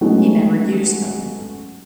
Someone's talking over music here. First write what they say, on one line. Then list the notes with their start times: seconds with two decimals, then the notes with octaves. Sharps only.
He never used them.
0.01 F#3 G#3 A3 B3 C#4 D#4